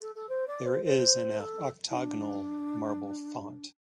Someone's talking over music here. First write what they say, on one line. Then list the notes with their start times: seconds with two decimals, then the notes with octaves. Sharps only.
There is an octagonal marble font.
0.01 A4
0.15 A4
0.29 C5
0.47 D5
0.65 C5
0.84 C5
1.39 A4
1.90 E4
1.95 D4